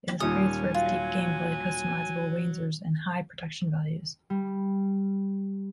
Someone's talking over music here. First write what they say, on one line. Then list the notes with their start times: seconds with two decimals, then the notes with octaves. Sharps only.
It was praised for its deep gameplay, customizable wanzers, and high production values.
0.20 D#2 A#2 G3 C#4 G#5 D#6
0.74 F#3 F4
4.30 G3